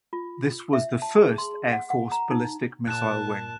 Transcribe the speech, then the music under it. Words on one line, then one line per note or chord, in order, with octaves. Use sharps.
This was the first Air Force ballistic missile wing.
F4
E5
A5
G#4
C6
F#5
F#5
A#5
D#4
A#2 A5 F#6 E7